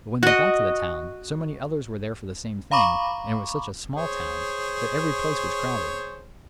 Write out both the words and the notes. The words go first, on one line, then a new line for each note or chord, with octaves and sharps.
But when they got to the town, so many others were there for the same thing, and it was such a small town, that every place was crowded.
F#4 D#5
F5 A#5 B5 C#6 D6
G#4 C5 C#5